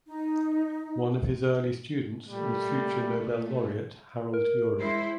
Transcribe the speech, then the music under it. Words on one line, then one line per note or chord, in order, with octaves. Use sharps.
One of his early students was future Nobel laureate Harold Urey.
D#4
A#2 G3 A3
A#4
G#3 E4 C5